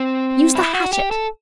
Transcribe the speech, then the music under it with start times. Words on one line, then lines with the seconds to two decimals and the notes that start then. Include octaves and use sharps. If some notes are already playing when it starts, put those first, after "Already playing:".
Use the hatchet!...
Already playing: C4
0.55 E4
0.74 F#4
0.93 G4
1.11 A4